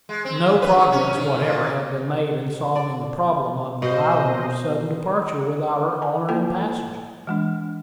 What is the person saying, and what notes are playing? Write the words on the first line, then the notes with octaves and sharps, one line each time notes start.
No progress whatever had been made in solving the problem of the Islander's sudden departure without her owner and passengers.
G#3
C4
G2
B4
D#3
C#4
D#3
A#2
D5
B2 C5 D#5
G#5
A#3 E4 F4 A4 G5
E3 G#3 D4